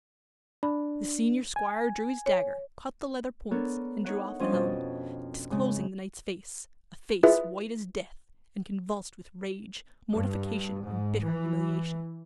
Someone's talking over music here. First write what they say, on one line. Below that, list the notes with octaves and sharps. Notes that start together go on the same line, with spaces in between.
The senior squire drew his dagger, cut the leather points, and drew off the helm, disclosing the knight's face--a face white as death, and convulsed with rage, mortification, and bitter humiliation.
D4 B5
G#5
C#5
B3 D4 A4 A#4 C#5
D#4 C#5 F#5
F3 G3 C#4 D4 D#5 C6
F2 B2 A5
G#2 C#3 G#3 C4
E4 F4 G#4 B4 E5
G2
G#2
E3